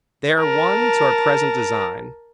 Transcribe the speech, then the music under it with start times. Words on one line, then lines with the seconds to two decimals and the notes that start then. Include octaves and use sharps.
They are one to our present design.
0.40 A#4 A5